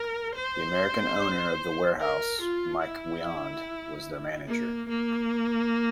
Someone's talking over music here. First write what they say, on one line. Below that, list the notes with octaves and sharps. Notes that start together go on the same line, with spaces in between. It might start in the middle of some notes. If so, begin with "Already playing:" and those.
The American owner of The Warehouse, Mike Wiand, was their manager.
Already playing: A#4
C5
A#4
F4
E4
A#3
A#3